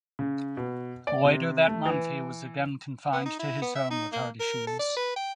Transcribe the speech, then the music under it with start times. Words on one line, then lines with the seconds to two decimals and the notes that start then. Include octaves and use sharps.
Later that month he was again confined to his home with heart issues.
0.19 C#3
0.57 B2
1.07 D5
1.25 C3
1.68 A3
1.86 E3
3.13 B3
3.25 D#4
3.39 E4
3.62 B3
3.75 E5
3.91 D#4
4.12 A#3
4.40 A#4
4.67 A4
4.79 D5
4.96 B4
5.16 G5